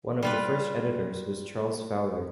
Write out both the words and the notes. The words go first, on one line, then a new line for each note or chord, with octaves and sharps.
One of the first editors was Charles Fowler.
G3 F4 B4